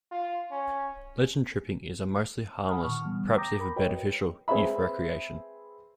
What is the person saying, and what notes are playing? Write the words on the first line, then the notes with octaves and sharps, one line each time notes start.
Legend-tripping is a mostly harmless, perhaps even beneficial, youth recreation.
F4
C#4
F#5 G#5 A5 B5 D#6 F6
A#2 D3 D#3 C#6 F6
E3 G3 B3
G5 A#5 D6 D#6 G6 A#6
A#4 B5
F#4 A#4 B4 C#5 D#5 G5
C4 G#4 B4 E5 B5